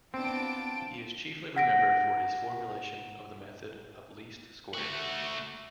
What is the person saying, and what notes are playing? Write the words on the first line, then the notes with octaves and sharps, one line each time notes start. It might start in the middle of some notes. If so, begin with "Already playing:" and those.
He is chiefly remembered for his formulation of the method of least squares.
B3 C4 D4 F4 G5 A5 D7
F#5 A#6 D7
A3 F#4